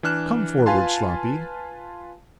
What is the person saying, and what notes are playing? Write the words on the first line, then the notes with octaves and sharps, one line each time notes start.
'Come forward, Sloppy.
E3 D4 F6 F#6 E7
F4 B4 F5 G#5 A5 C6